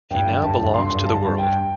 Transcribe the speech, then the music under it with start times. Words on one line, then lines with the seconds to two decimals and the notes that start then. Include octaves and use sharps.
He now belongs to the world.
0.11 G2 G5
0.27 D3
0.43 G2 A5
0.59 G2
0.74 D3 C6
0.90 G2
1.06 G3 A5
1.22 G2
1.38 G2 G5